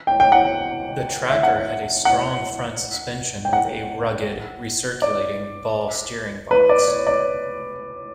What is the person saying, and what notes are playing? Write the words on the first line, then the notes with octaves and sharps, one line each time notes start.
The Tracker had a strong front suspension with a rugged recirculating ball steering box.
G5
G5
F#5
E5
F#5
E5
F#5
G5
F#5
D5
B4
D5
C#5
D5